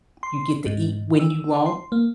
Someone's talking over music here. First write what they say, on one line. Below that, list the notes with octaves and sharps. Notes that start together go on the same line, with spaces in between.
you get to eat when you want
C6
G#2
E6
C6
A#3